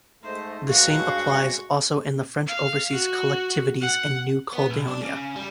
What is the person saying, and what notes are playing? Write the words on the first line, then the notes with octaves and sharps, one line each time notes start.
The same applies also in the French overseas collectivities and New Caledonia.
G#2 A3 C5 D#5
G2 F#3 G#3 F#4 F5 C#6
F5
F#4
F#5
B3
B1
D4
C#3
G3